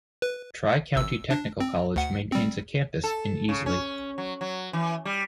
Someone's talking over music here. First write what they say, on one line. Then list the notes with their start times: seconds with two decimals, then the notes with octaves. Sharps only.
Tri-County Technical College maintains a campus in Easley.
0.22 B4
0.96 G#1 E6
1.31 D4
1.60 C4
1.96 D2 F#5
2.32 G3 C4
3.04 A4
3.49 C#3
3.66 C#4
4.18 F#3
4.41 F#3
4.73 E3
5.05 G3